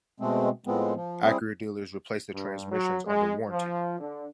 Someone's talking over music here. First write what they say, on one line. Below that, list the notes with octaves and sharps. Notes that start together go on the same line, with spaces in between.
Acura dealers replace the transmissions under warranty.
B2 G#3 A3 C4
A2 F3 G#3 B3 C4
F3
G3 C4 E4 G#4
G2
F#3
G#3
F3
D3